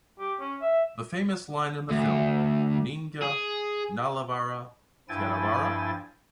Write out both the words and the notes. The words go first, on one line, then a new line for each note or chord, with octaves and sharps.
The famous line in the film, Neenga Nallavara Kettavara?
G4
C#4
E5
D2
G#4
G2 F3 E4 G5 G#5 A6